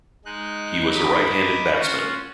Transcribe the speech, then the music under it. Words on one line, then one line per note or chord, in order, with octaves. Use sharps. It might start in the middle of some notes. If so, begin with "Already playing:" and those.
He was a right-handed batsman.
G#3 D#4 F#6
D#5 A#5 B5 D6 D#6
C#4 F4 F#4